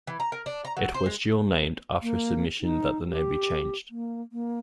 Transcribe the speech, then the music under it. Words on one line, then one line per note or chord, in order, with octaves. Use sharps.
It was dual-named after a submission that the name be changed.
E3
A#5
A#4
D4
A#5
F#3
C5
G#3
A#3
D#4
G4
A#3
A#3